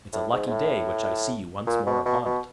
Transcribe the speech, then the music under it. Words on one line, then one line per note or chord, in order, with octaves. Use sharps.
"It's a lucky day which I see you once more upon it."
A2
G#2
G#2
A2
A#2
B2
B2
B2